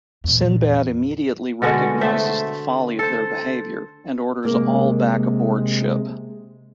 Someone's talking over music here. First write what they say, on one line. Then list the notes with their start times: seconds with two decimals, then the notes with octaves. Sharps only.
Sinbad immediately recognizes the folly of their behavior and orders all back aboard ship.
0.24 E2 A#2
1.62 B2 D3 G#3 F#4
2.01 A3 C5 E5
2.99 A4 C5
4.45 C3 G#3 A#3